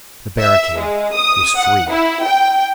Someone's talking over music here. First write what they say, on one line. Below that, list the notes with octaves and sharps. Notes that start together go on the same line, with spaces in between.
The barricade was free.
E5
G#3
D#6
F#5
E4
G5